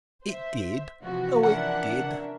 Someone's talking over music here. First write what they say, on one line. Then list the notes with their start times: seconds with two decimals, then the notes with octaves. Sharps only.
It did, oh it did.
0.24 C5 E5
1.02 C3 E3 F3 F#4
1.43 C#4 D4 A#4 E5 F#5